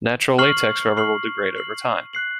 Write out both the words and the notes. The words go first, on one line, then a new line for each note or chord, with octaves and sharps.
Natural latex rubber will degrade over time.
C#6 F6 C7 F#7
C#6 F6 C7 F#7
C#6 F6 C7 F#7
F#6 C7 F#7